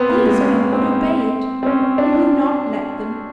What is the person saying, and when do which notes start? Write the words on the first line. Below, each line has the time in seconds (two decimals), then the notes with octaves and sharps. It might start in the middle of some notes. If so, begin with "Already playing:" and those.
These men would obey it. Will you not let them?
Already playing: B3 C4
0.09 A#3
0.25 G#3
0.41 C#4
0.73 C4
1.63 C4
1.66 C#4
1.98 D4